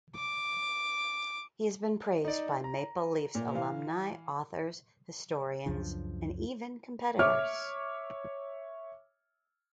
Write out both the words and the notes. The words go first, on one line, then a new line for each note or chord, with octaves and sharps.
He has been praised by Maple Leafs alumni, authors, historians and even competitors.
D6
D#4 D5
A#5
A#2
E3 F5
C#2 F#2 F3 D4
C#5 E5 D6 F6